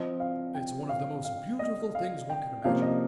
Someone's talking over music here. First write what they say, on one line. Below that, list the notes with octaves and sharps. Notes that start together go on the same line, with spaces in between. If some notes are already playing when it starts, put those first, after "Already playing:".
It's one of the most beautiful things one could imagine.
Already playing: F3 C4 D#5
F5
G5
F5
F5
D#5
F5
G5
C3 F3 A#3 C#4 F5
D#5